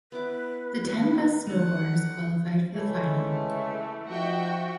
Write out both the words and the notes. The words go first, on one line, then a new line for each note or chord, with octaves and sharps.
The ten best snowboarders qualified for the final.
B3 E4 B4 D6
D#3 G3 B3
D3 D4 D#4 F#5
C#3 E3 G#3 A3 C#4
F3 D#4 F#4 E5 G5